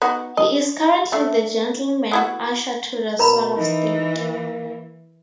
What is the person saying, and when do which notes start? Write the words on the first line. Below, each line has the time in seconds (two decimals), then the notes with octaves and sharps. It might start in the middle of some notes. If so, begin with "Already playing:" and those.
He is currently the Gentleman Usher to the Sword of State.
0.02 B3 D#4 F#4
0.37 D#5
1.12 A3 D4
2.11 B3 E4 F#4
3.19 B2 A#4 A#5 B5
3.57 E3 D#4
4.15 A#3